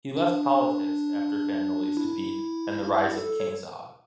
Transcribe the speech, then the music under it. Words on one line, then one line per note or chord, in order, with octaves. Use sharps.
He left politics after Fan Noli's defeat, and the rise of King Zog.
D4
E4
E4
A4
C#5